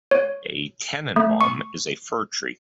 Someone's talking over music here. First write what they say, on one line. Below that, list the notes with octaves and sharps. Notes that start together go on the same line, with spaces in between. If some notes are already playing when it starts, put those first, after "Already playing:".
A "Tannenbaum" is a fir tree.
C#5
A3
C#6